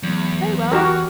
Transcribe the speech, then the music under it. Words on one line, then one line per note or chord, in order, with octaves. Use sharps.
'Very well.
E2 F#3 A3 B3
F#4 G4 A#4